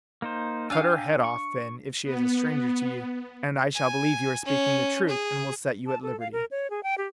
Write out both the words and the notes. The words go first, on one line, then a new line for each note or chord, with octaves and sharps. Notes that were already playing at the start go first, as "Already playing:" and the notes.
"Cut her head off," then, "if she is a stranger to you, and I shall believe you are speaking the truth, and will set you at liberty."
A#3 D#4 C5
D4 F5 G5 G#5 E6
C#6
B3
G#5
C#4
G#4
A5
A4
F5
A#4
C#5
G#4
G5
G4